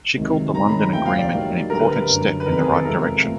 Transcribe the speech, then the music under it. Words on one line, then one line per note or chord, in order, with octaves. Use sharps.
She called the London Agreement "an important step in the right direction".
C#2 C3 D#3 F#3
C3 D#3 G#3 C#4 A#5
B5
A#5
D#2 C#3 F3 A3 G5
F5
D5
A2 F#3 A#3 D#4 G4
D2 D3 G3 A#4
B4
A#4
F#2 D3 F#3
B4
F2 C3 D#3 A#4
G#4
A4
E2 C3 F3 G#3 A#4
A#2 F3 A3